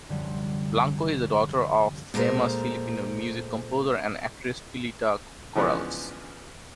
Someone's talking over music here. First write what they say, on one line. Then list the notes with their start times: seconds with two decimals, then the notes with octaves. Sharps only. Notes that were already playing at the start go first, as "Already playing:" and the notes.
Blanco is the daughter of famous Filipino Music composer and actress Pilita Corrales.
0.09 C2 F#2 D3 F3 G3
2.14 A#2 G#3 A3 A#4 C5
5.56 C#3 E3 F3 G#3 B3 D4